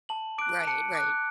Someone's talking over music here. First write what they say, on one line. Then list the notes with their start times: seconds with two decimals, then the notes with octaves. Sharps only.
Right, right.
0.09 A5 F#7
0.38 D6 F#6 D7
0.67 A5 C#7
0.95 D6 F#6